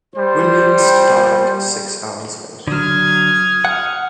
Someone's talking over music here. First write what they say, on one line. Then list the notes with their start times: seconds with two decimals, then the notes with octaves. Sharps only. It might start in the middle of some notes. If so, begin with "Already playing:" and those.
Williams died six hours later.
0.14 G3 C5
2.67 D3 F#3 D#6 F6 G#6
3.65 F#5